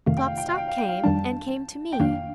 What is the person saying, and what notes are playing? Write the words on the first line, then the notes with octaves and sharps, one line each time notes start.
Klopstock came, and came to me.
F2 C3 D#3 A3 F5
G5
F5
G5
F5
G5
F5
G5
F5
F2 D#3 G3 D4 A5
G5
F2 D#3 A#3 D4 F5